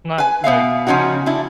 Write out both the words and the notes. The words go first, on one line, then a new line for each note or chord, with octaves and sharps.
not, like
B4 G#5
B2 B3 E5 F5
C#3 F3 C#4 D#4 F#4
D4 E4